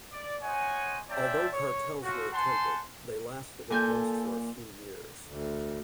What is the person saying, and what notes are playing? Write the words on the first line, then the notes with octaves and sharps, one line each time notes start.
Although cartels were attempted, they lasted at most for a few years.
D5
C5 C#5 D#5 F#5 G#5
C4 C#4 D5 E5 G5 A5
C#5
A3 C#4 F4 F#4
C5 F#5 G#5 A5 C6
A#2 A4 G#5 G6
D2